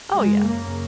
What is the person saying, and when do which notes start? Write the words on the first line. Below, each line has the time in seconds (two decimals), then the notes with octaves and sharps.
Oh, yeah.
0.15 F#2 C#3 G#3
0.45 A#3